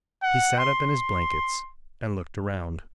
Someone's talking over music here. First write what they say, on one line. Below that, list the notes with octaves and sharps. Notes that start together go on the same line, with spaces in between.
He sat up in his blankets and looked around.
F#5
C6